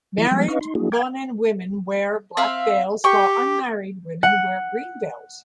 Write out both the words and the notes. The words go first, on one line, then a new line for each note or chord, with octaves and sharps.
Married Bonan women wear black veils, while unmarried women wear green veils.
E3 F#3 E4
F3 G3 G#3 B3
C#4 D#4 B4 D#5 F5 C#6
D#4 C6
A#3 D4 E4 F#4 G#4
F5 G5 D6 G#6
C4 E5 F5
G4 G5 C#6
F#5